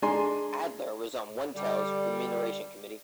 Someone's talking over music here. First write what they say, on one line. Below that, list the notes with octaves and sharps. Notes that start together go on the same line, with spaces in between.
Adler was on OneTel's remuneration committee.
G#3 D4 G#5 A#5 C6
D3 G3